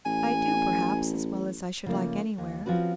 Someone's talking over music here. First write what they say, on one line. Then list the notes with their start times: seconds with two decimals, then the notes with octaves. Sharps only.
I do, perhaps, as well as I should like anywhere.
0.05 A1 G#5
1.86 C#3 F3 A3 A#3
2.38 D#2
2.66 F3 C4 C#4 F#4 B4